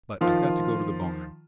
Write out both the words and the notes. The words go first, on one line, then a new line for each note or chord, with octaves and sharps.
But I've got to go to the barn.
D#3 F3 F4